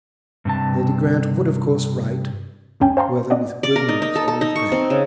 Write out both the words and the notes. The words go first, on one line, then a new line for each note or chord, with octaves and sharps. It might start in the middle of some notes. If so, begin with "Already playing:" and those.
Lady Grant would of course write whether with good news or with bad.
G2 C3 A5
D2 G2 C#4 G5 G#5
C5 F5 G5 A5 A#5 C6
C4 D5 D#5 F#5
D5
A#4
D#4
D#4
A4
A4
D#4
C#6
C4
C#3